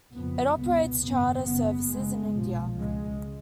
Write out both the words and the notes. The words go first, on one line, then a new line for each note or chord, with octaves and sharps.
It operates charter services in India.
F#1 F2 C#3 B3
C#2 B2 B3
G#1 F#2 C#3 B3
F#1 F#2 C#3 B3
F#1 F#2 C#3 G#3
B1 A#2 F3
C#2 C#3 G#3